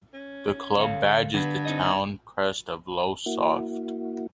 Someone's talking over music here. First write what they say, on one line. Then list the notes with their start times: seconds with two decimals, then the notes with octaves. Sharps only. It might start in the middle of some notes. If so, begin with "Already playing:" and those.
The club badge is the town crest of Lowestoft.
0.14 C#4
0.78 D2 A4 F5
1.34 G2 D3 B3
1.65 C4 D#4 D#5
3.26 A#3 E4 F#4